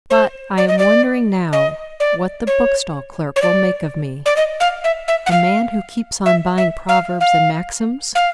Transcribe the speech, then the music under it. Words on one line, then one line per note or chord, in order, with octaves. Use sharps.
But I am wondering now what the bookstall clerk will make of me. A man who keeps on buying Proverbs and Maxims.
C5
D5
D#5
D5
D#5
D5
C#5
C#5
D5
D5
D#5
F5
E5
E5
F#5
F5
E5
E5
F5
F5
F5